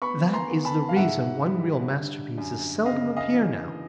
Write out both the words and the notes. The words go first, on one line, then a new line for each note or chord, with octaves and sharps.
That is the reason one-reel masterpieces seldom appear now.
B3 B5 C#6
A#5 C6
B3
A5 B5
F5
G#2 E5 F#5
G3
D3
F#2
C#3 D#5 F5
D#5 F5
E3